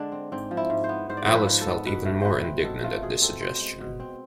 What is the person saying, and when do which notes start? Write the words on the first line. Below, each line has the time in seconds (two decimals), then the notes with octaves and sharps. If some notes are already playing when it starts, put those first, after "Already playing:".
Alice felt even more indignant at this suggestion.
Already playing: D3 G#3 D4
0.12 C4
0.32 G#2 C4
0.51 F3
0.57 E4
0.70 G#2
0.84 C5
0.89 B3
1.09 G#2 C5
1.17 D5
1.26 F3 C5
1.35 B4
1.47 G#2
1.61 A4
1.67 B3
1.86 B2 B4
2.05 A3
2.21 B2 B4 C5
2.44 C4
2.63 B2 A4
2.83 A3 F4
3.02 B2 G#4
3.22 C4 A4
3.41 B2 C5
3.61 G#3
3.80 B2
4.00 C4